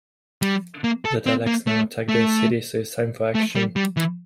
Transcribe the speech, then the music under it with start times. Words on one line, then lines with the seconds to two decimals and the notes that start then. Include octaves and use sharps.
The Daleks now attack the city, so it is time for action.
0.42 G3
0.84 A#3
1.05 A4
1.26 C4
1.47 A#3
1.67 A3
2.09 A3
3.35 A3
3.55 G3
3.76 G3
3.97 E3